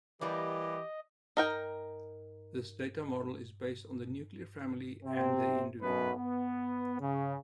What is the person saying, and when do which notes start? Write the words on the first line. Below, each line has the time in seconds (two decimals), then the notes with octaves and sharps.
This data model is based on the nuclear family and the individual.
0.21 E3 G3 A#3 G4 D5 D#5
1.37 D#4 A#4 G5
5.06 C3 C4
5.83 B1 F#2 B2 B3 B4
6.17 B3
7.01 C#3